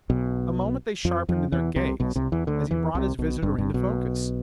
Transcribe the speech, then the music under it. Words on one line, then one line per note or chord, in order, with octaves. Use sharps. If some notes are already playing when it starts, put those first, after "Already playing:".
A moment they sharpened in their gaze as he brought his visitor into focus.
B1 B2
F2 F3
F2 F3
E2 E3
C2 C3
B1 B2
C2 C3
E2 E3
D2 D3
E2 E3
C2 C3
B1 B2
G1 G2
G1 G2
B1 B2